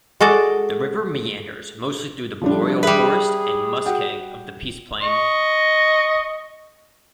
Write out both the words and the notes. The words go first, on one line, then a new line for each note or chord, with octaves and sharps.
The river meanders mostly through the boreal forest and muskeg of the Peace Plain.
G#3 F#4 A4 D5
F3 G3 D4
G3 G#4 B4 E5
F#4 F#5 G5
D#5 C#6